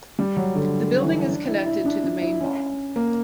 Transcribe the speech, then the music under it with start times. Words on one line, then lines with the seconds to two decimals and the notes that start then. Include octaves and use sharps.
The building is connected to the main mall.
0.19 G3
0.37 F#3
0.55 D3
1.02 E3
1.30 D4
1.48 E4
1.66 E4
1.85 D4
2.04 D4
2.22 E4
2.41 C#4
2.96 A#3